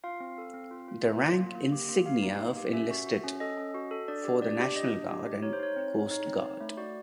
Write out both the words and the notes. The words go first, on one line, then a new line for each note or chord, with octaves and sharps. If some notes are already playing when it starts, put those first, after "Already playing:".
The rank insignia of enlisted for the national guard and coast guard.
F4 F5
C4
A4
C4
F4
F4
C4
F4
A#3
A#3
G4
A#3
G4 F5
D#4
A#3
G4
C#4 E5
F#4
F#4
C#4
A4 D#5
C#4
F#4
A4
D4 D5
G4
D4 D5
G4
D4 D#5
D4
G4
G4
D#4 C#5
C5
D#4 C#5
C4
D#4
D#4 C#5
C4
D#4
A3
F#4 D5